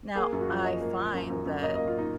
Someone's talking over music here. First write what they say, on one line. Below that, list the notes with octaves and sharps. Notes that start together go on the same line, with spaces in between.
now, I find that
A#3 G#4
F#2
F#4
F3
F3 D#5
A#3
F3
F#2
F#2
F#2
A#3 D#5
A#3 D#5
F4
D#4